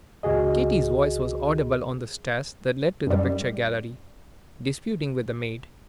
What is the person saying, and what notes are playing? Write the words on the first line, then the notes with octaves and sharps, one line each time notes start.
Kitty's voice was audible on the stairs that led to the picture-gallery, disputing with the maid.
C#2 F#4 G#4 D#5
F#2 G3